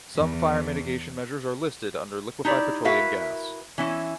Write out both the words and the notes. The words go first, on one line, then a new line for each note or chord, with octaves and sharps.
Some fire mitigation measures are listed under liquefied petroleum gas.
E2
D#4 E4 G4 D5
E4 F#4 A#4 B4 E5 F5
E3 C#4 E4